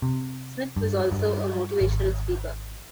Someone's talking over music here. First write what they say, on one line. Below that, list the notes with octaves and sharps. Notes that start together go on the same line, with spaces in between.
Smith was also a motivational speaker.
C3
G2
G2
G#1